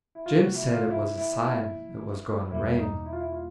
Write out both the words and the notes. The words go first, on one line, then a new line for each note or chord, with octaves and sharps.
Jim said it was a sign it was going to rain.
E4
F4
C3 F3 A#3 F#4
E4
F4
E4
E4
E4
E2 B2 G3 A#3 E4
D#4
E4
F4
E4
F4